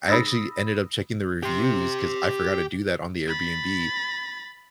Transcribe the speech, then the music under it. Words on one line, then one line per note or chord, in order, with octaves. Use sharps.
I actually ended up checking the reviews 'cause I forgot to do that on the Airbnb.
B5 D#6 E6 A6 A#6
G4 C6
B5 A6